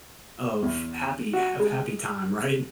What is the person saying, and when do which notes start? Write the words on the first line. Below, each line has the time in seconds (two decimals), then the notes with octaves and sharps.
of happy ha of happy time. Right?
0.62 E2
1.33 F#4
1.60 G#3